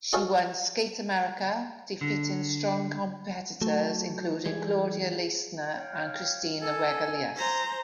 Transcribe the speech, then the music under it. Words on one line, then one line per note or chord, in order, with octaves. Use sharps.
She won Skate America, defeating strong competitors including Claudia Leistner and Kristina Wegelius.
D#4 F#4 G#4 A4 C#5 F5
D3
F#3 A3
E3 G3 G#3 G#4
C#5 F5 G5
A4 G#5
C5 A#5